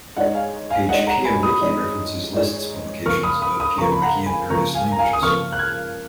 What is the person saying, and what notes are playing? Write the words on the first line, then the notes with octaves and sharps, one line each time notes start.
The page PmWiki References lists publications about PmWiki in various languages.
G#3 D#4 G#4 C#5 D#5 F#5
F5 G#5
F5 G#5
G#3 D#4 G#4 C#5 D#5 F#5
F#5 A#5
G#5 B5
B5 D#6
G#3 D#4 G#4 C#5
G#3 D#4 G#4 C#5
C#3 F3 A#3 C#6 F6
B5 D#6
B5 D#6
B5 D#6
C#3 F3 A#3 A#5 C#6
B5
F#5 A#5
G#5 B5
C#3 F3 A#3 A#5 C#6
F5 G#5
A#5
F5 G#5
D#6
C#3 F3 A#3 C#6 F6
F#6
F6 G#6